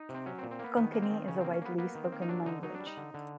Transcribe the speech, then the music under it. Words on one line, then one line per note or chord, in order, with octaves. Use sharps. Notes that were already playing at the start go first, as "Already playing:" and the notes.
Konkani is a widely spoken language.
Already playing: D#4
C3
C4
F#3 C#4
C4
A#2
C4
A#3 B3
D#3 B3
A#3
C4
D#3
C#3 C#4
A#3 C4
C#4
A#3 B3
A#3 B3
D#3
C4
A#3
D#4
F#3 D4
D3 D#4
F#3 D#4
D4
G3
D#4
D3
D3